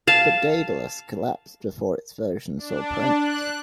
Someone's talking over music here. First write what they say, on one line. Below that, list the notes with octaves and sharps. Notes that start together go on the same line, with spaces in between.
But Daedalus collapsed before its version saw print.
F5 A5
D4
F#6